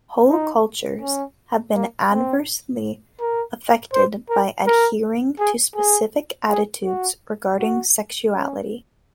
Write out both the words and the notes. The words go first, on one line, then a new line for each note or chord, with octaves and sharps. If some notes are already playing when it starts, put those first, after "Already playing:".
Whole cultures have been adversely affected by adhering to specific attitudes regarding sexuality.
D#4
C#4
A#3
C4
A#4
C5
A#4
A#4
G#4
G#4
G#4
F#4
F#4
C#4